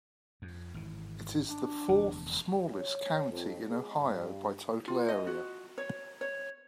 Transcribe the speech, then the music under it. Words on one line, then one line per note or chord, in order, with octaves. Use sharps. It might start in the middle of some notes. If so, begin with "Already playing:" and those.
It is the fourth-smallest county in Ohio by total area.
F2
G#1 E3
D4
F1 E2 D3
C#5
F2
G#3
G2
F4
D#5
F#4
C#5
C#5